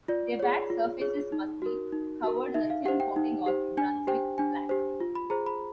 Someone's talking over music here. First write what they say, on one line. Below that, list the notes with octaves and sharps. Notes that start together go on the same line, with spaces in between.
Their back surfaces must be covered in a thin coating of Brunswick black.
F4 D5
G#4 C#5
F4
G#4 C#5
D#4
F#4 A#4
D#4
F#4 A#4
D#4 E5
F5
G4 C5 F#5
G5
D#4
G4 C5
D4 G#5
G4 C5 G5
D4 G#5
G4 C5
F4
B5
G#4 C5 A#5
B5